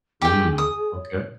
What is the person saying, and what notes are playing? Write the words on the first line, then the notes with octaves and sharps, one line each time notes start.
Mm, okay.
G4 G#4 G5
D#6
C#5